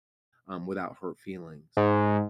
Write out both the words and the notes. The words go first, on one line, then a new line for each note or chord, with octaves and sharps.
um, without hurt feelings?
G#2